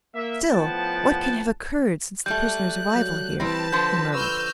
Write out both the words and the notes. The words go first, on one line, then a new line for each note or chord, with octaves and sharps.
"Still, what can have occurred since the prisoner's arrival here?" he murmured.
A#3 E5
A2 F3 B3 F#5 G5 A5
G3 A3 F#6 G6
F#3
E3 G3 C4 B4 A5 A#6
D3 F3 C5 G6 B6
B4 C#6 E6 F6 G6